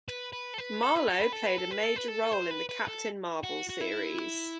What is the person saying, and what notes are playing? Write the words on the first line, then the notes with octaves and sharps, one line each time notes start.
Marlo played a major role in the "Captain Marvel" series.
B4
B4
A4
B4
A4
B4
A4
B4
A4
B4
A4
B4
A4
B4
A4
C5
B4
B4
A4
F#4
F#4
E4